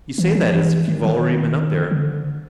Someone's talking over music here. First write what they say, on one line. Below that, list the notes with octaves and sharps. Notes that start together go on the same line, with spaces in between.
"You say that as if you've already been up there."
E3
F3
E3
D#3
D#3
D3